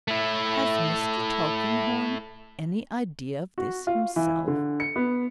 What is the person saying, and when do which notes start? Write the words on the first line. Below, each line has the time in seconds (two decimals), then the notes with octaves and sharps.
Has Mr. Tulkinghorn any idea of this himself?
0.08 A3 E4
3.58 F#4
3.87 F4
4.16 E3
4.48 D3
4.80 C#7
4.96 B3